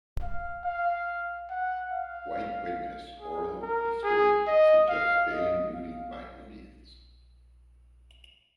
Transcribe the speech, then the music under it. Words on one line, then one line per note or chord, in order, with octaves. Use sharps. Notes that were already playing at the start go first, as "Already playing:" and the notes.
White witness oral history suggests daily looting by Indians.
F5
F5
F#5
F5
G#4
A#4
G#4
D#5
F5
D#5
F5